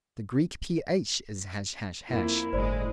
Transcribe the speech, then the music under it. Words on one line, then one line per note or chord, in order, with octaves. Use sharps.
The Greek ph is ### .
F2 A#3 E4
G1 A2 G#3 C5 D5 B5